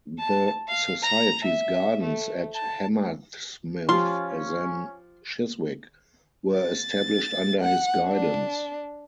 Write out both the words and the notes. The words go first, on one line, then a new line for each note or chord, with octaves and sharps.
The society's gardens at Hammersmith, then Chiswick, were established under his guidance.
A5
F5
A#5
E5
A3
A5
F3 C#4 F4 G4 C6
A6
F#5
D4